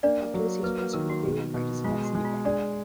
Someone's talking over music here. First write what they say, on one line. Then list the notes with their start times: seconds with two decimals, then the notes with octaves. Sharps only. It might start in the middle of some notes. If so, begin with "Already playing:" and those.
Afterwards, he was professor of the theory and practice of medicine at Yale.
0.03 A#3 D4 D5
0.34 F#3
0.63 A#3 B4
0.78 B4
0.93 D#3 A#4
1.10 F#4
1.24 B2
1.54 B2
1.84 G#3 F4
2.05 F#4
2.15 G#3
2.25 F4
2.45 D4 G#4 D5